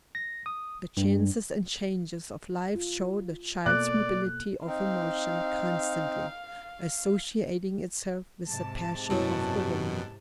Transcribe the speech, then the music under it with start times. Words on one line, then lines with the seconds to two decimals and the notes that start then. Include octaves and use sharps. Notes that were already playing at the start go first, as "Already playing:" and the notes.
The chances and changes of life show the child's mobility of emotion constantly associating itself with the passions of the woman.
0.15 A#6
0.46 D#6
0.97 G2
2.75 F4
3.66 B2 A#3 A4 D5 F#6
4.67 C4 D#4 F5
8.46 G#2 C3 A5
9.10 F#2 B2 F#3 E4 C#5
9.60 G4